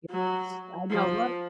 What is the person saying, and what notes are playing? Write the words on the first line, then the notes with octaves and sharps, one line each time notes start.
Yes. I know lotta
F#3
F3